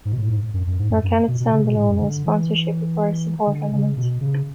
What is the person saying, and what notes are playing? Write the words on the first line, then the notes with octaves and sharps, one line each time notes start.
Nor can it stand alone, as sponsorship requires support elements.
G#2
B2
A2
G#2
F#2
F#2
G#2
F#2
F#2
B2
B2
C#3
B2
A2
F#2
D3
E3
D3
C#3
B2
C#3